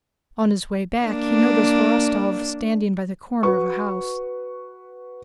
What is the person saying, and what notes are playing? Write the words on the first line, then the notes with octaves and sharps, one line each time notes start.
On his way back, he noticed Rostov standing by the corner of a house.
A#3 D4
F#4 B4 C#6